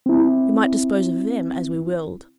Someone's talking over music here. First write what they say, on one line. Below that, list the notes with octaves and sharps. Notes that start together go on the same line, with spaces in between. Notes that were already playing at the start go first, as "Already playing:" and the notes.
We might dispose of them as we willed.
C4 E4